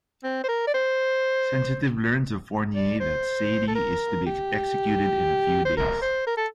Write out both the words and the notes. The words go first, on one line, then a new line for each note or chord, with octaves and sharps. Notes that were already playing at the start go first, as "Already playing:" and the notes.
Sensitive learns of Fournier that Sade is to be executed in a few days.
C4
C5
A#4
D5
C5
D5
C5
A4
A#4
G4
C5
A#4
C5
A#4
A4